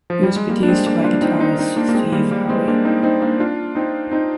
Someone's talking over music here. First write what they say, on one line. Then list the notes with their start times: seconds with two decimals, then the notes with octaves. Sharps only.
It was produced by guitarist Steve Howe.
0.10 F3
0.23 G3
0.36 G#3
0.49 G3 A#3
0.63 D4
0.68 G#3 C4
0.87 A#3 D4
1.04 D4 F4
1.22 C4 D#4
1.40 C4 D#4
1.59 C4 D#4
1.77 A#3 D4
1.89 A#3
1.95 G#3 C4
2.05 G#3
2.12 G3 A#3
2.31 G3 A#3
2.49 G#3 C4
2.68 A#3 D4
2.85 C4 D#4
3.03 C4 D#4
3.21 A#3 D4
3.40 D4 F4
3.75 C4 D#4
4.11 C4 D#4